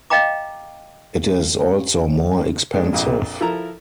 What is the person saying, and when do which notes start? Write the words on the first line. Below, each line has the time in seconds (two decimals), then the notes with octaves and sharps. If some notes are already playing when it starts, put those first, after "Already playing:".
It is also more expensive.
0.10 D#5 F5 G5 A#5 D6
2.74 G#3 D4
2.93 A#1 F2 A#2
3.41 F3 E4 A4 A#4 A#5